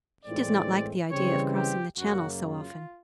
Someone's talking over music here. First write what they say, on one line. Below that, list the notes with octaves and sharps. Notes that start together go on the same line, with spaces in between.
He does not like the idea of crossing the Channel so often.
A2 E3 G#3 C4 D5
C#3 E3 G3 C4 C#5
G4
F#2 C#3 F#3 A#3 F#4
F4